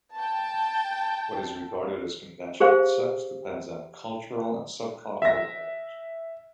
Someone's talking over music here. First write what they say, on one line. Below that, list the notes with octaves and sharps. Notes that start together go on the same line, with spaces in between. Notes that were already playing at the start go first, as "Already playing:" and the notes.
What is regarded as conventional sex depends on cultural and sub cultural norms.
G5 A5
G4 G#4 C5 F5
E5 A#6